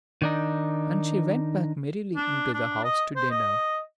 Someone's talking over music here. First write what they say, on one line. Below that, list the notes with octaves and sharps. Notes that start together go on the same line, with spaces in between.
And she went back merrily into the house to dinner.
D#3 D4 D#4
D4
D4
D#5
C5
D#5